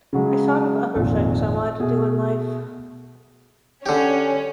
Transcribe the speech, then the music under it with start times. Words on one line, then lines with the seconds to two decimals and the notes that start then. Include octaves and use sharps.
I thought of other things I wanted to do in life.
0.13 C#3 F#3 G#3
0.96 G#1 F2 A#2
1.80 B2 G#4
3.86 D3 C#4 G4